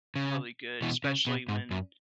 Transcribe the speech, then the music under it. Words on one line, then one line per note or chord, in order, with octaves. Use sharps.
really good, especially when,
C#3
B2 E3
C#3
B2
G#2
F#2